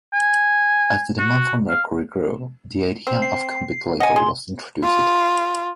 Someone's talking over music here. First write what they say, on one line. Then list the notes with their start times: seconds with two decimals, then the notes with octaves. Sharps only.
As the demand for mercury grew, the idea of convict labor was introduced.
0.13 G#5
1.18 F#4
1.69 F5
3.07 C4
3.22 C7
4.00 D#5 F#5 G#5
4.16 G#4 C6
4.84 F4